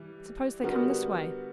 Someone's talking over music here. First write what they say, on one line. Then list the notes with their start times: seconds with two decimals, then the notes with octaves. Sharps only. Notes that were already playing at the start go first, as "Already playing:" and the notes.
Suppose they come this way.'
Already playing: E3 G3
0.62 D3 G3 B3 F#4 A#4